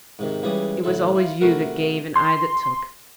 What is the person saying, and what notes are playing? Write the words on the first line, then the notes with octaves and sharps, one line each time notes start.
It was always you that gave and I that took.
G#2 C3 D#3
C#2 C#3 E3 G3 D5 D#6
A1 D3 E4 A4
E4 F4
C3 A3 E4 F#4 A#4
C6